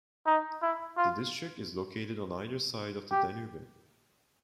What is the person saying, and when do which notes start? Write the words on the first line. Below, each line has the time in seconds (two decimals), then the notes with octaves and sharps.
The district is located on either side of the Danube.
0.26 D#4
0.62 E4
0.97 F4
3.11 G4